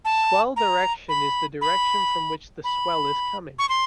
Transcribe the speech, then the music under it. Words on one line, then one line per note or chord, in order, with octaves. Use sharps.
Swell direction is the direction from which the swell is coming.
A5
A#5
B5
B5
B5
C#6
C6